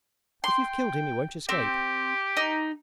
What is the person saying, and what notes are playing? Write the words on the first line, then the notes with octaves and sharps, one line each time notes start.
If you've killed him he won't escape.
G5 C6
C4 G4
D#4